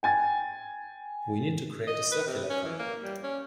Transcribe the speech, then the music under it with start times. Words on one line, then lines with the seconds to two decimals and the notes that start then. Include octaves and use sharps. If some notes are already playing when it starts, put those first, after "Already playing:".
We need to create a circular economy.
0.03 G5 G#5 A6
1.87 D#5
2.12 B4
2.27 C3
2.50 C#4
2.64 E3
2.79 A#3
3.03 G3
3.24 C#4